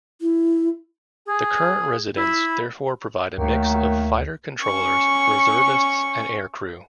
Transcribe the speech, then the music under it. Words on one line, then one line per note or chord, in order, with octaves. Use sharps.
The current residents therefore provide a mix of fighter controllers, reservists and aircrew.
E4
G#4
E4
D2 D#3 F#3 A3 A#3
C#4 C#6